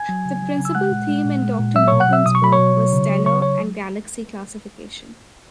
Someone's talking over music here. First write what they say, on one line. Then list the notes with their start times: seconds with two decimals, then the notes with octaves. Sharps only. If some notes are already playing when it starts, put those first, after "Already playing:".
The principal theme in Doctor Morgan's work was stellar and galaxy classification.
Already playing: G#5 G#6
0.09 F#3
0.25 C#3
0.42 F#3
0.59 C#3
0.65 E6
0.75 G#3 F#5 F#6
0.92 A#2
1.09 G#3
1.25 A#2
1.43 G#3
1.59 A#2
1.75 F#3 E5 E6
1.87 B2 C#5 C#6
2.00 F#5 F#6
2.09 F#3 E5 E6
2.26 B2 D#6
2.35 C#6
2.42 F#3 B5
2.53 C#5 C#6
2.59 B2
2.76 F#3
2.92 C#3
3.10 F#3
3.26 C#3 C#5 C#6
3.42 F#3 C#5 C#6